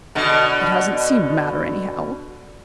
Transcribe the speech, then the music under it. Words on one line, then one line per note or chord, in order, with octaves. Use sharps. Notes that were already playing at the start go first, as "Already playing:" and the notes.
"It hasn't seemed to matter, anyhow."
B2 D3